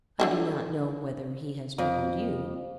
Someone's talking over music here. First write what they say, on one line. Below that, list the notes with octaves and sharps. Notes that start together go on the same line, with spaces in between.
I do not know whether he has troubled you.
D3 D#3 E4
F2